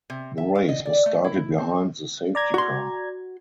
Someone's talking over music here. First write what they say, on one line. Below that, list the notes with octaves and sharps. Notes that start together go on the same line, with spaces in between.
The race was started behind the safety car.
C3
E5
F5
D#5
D5
A3
E4
C4
D5 A#5 G#6
F#4 C6